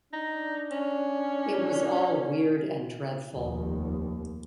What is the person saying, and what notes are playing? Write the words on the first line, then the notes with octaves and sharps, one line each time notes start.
It was all weird and dreadful.
D4 D#4
C#4
F1 D#2